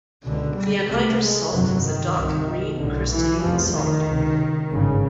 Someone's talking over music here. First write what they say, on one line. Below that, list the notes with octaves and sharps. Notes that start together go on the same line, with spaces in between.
The anhydrous salt is a dark green crystalline solid.
C#2 B2 D3
G3
C2 C3 A3
G#3
G1 F2 C3 F#3
D#3
C2 C3 D#3
B1 A2 D3
E3
F1 E2 B2 F3
D#3
C#2 C3
G#1 G2 C#3